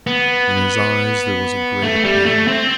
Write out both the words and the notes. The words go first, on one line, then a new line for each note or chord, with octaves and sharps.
In his eyes there was a great appeal.
B3
A3
G3
A3
C4